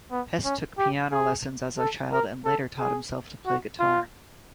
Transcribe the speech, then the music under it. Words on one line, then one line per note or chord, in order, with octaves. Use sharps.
Hest took piano lessons as a child and later taught himself to play guitar.
B3
C#4
G4
G#4
A4
A#4
A4
G#4
F#4
F4